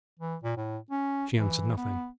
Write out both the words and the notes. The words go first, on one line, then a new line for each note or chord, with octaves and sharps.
She answered nothing.
E3
A#2
A2
C#4
E3
B3